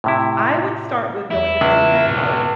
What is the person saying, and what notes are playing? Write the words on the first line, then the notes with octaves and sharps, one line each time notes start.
I would start with going to Pennypack Park,
A2 C3 E4
E2 E4
C#2
G#2 B2